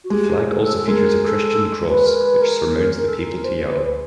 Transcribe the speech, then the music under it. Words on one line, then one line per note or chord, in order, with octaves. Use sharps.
The flag also features a Christian cross, which surmounts the Papal Tiara.
F#4
G#3 G4
A4
A4
G#3 A#4
A4
B4
A#4
B4
A#4
A4
A#4
C5
B4
C5
B4